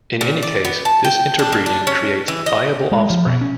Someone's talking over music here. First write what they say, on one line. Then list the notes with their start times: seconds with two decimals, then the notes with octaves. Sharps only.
In any case this interbreeding creates viable offspring.
0.21 A#2
0.43 D5
0.65 B3
0.85 A5
1.05 G5
1.39 D4
1.52 A#3
1.66 D4
1.87 C#4
2.28 E3
2.46 D#5
2.92 G#3
3.10 F3
3.26 B2
3.41 C#4